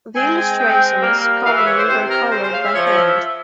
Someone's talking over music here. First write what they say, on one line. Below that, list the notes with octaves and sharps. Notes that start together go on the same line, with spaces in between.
The illustrations commonly were colored by hand.
G#3 C4 G#5
G#5
G#3 C4 G5
G3 A#3
E3 F5
E5
C#5
C5
C3 C5
A#4
C#3 C5
C5
F5
E5
F3 C#5
C#5
E5
E5